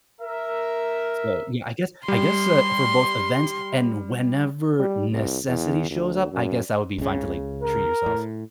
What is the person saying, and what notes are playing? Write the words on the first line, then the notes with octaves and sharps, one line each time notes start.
So, yeah, I guess I guess, uh, for both events and whenever necessity shows up, I guess that would be fine to, like, treat yourself.
A#4 E5
G3 C6
G3
C2
E2
D2
F#2
C#2 C#3
A#4
A2